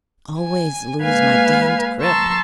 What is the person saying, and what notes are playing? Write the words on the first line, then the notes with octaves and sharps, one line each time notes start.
Always lose my damned grip.
G#5
G#3 A#3 B4 F5 G#5 G#6
A5 A#5 C6 C#6 E6